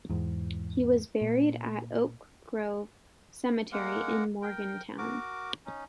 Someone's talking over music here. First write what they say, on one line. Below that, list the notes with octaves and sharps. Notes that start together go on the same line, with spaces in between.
He was buried at Oak Grove Cemetery in Morgantown.
E2 G#2
A#2
G#3 A#3 A#4 F#5
A#4 G5
F#4 A#4 D6
C#4 D#4